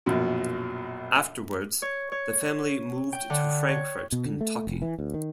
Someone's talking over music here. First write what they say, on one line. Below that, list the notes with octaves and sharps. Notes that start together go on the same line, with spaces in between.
Afterwards, the family moved to Frankfort, Kentucky.
A#1 F#2 B2
C#5
C#5
G5
D3
C#5
B2
D3
A3
F1
E3
D2
D#3